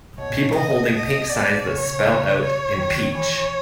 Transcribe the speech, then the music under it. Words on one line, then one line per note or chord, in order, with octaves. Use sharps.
People holding pink signs that spell out, Impeach .
B2 C#5
A#2
B2
C3 D#5
B2 D#5
B2 D5
C#3 C#5
C#5
D#3
E3 C#5